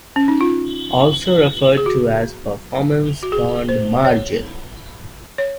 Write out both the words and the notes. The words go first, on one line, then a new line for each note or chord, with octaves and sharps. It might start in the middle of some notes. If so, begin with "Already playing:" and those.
Also referred to as performance bond margin.
C#4
D#4
F4
G#4
F#4
F#4
G#4
C5
C#5
C#5